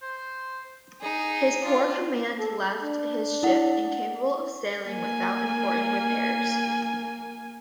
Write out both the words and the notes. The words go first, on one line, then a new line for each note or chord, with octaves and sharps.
His poor command left his ships incapable of sailing without important repairs.
C5
D#4 G#4
D4 F4
A4
D4
E4 F#5
A#3 G#5